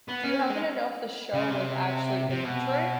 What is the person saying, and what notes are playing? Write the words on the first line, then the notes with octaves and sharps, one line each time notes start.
Do you happen to know if the show was actually in Detroit?
B3
C#4
C4
G#3
C#3
C3
C3
B2